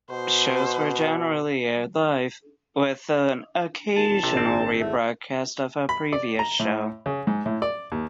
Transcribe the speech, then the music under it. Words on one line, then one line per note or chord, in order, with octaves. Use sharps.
Shows were generally aired live, with an occasional rebroadcast of a previous show.
B2 C5
D#2 A5
E1
A#1 C3
G#1 C4
E2 A3
B5
D5
A#5
A2
C#3
G#2
A2
D5
D#2